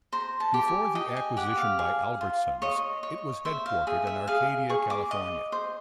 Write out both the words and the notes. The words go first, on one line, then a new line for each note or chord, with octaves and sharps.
Before the acquisition by Albertsons, it was headquartered in Arcadia, California.
C5 A#5
A5
G4
G#5
D#5 G5
G#5
G4 F#5
F5
G#4
F4
C#5 D#5
C#5
C5 E5
F5
G#4 E5
E5
G#4 F5
G#4 C#6
D6
D#5
C5